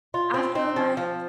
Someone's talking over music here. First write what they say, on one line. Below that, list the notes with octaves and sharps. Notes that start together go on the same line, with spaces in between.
I feel like
F4
C4
C4
F3
F3